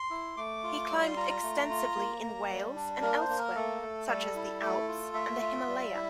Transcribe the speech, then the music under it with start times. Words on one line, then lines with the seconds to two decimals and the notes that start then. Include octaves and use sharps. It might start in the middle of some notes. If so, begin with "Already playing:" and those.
He climbed extensively in Wales and elsewhere, such as the Alps and the Himalaya.
Already playing: C6
0.10 E4
0.37 A3 D6
0.64 F4
0.90 G3 E6
1.03 C6
1.16 F4 A#5
1.30 A#5
1.43 A3
1.70 F4
1.96 A#3
2.23 A#3
2.49 G3
2.76 D4
3.02 A#3 A#4
3.20 C5
3.29 A#3
3.38 A#4
3.55 A3 A4
3.82 A3
4.08 G3 A4
4.35 E4
4.61 A3 A4
4.88 F4
5.14 A3 E5
5.41 F4
5.67 G3
5.94 E4